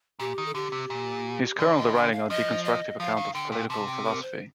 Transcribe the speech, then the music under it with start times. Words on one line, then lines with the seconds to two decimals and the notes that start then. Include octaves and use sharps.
He is currently writing a deconstructive account of political philosophy.
0.20 A#2 G4
0.38 D#3
0.46 A4
0.55 D3 G4
0.72 C3
0.90 A#2
1.59 D3 D5
1.77 D#5
1.95 G5
2.12 F5
2.30 F3 D#5
2.65 D#5
3.00 F3 F5
3.17 D#3
3.35 D3 G5
3.52 A#2
3.70 C3 A5
3.87 G5
4.05 A#4
4.22 C5